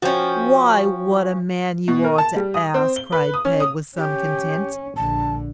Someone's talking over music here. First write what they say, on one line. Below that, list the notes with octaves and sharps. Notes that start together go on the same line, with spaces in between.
'Why, what a man you are to ask!' cried Peg, with some contempt.
F3 C#4 F#4 C5 G5
B2
A#4
A5
G3
D#6
C4
G7
B4
D#6
C#4
D#6
C#4 G4
A#1 D3 A5